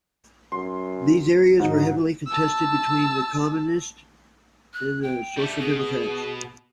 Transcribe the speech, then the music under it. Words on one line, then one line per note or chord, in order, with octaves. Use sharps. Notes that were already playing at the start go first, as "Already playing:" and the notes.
These areas were heavily contested between the Communists and the Social Democrats.
F#2 C6
G#2 F3 F#3 D#4
A5 E6
F#6
G5
G3 A3
B2 G#4